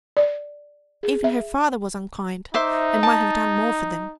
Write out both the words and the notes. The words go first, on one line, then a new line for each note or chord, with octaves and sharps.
Even her father was unkind, and might have done more for them.
D5
G#4
E5
D#4 C5 E5 D6
A5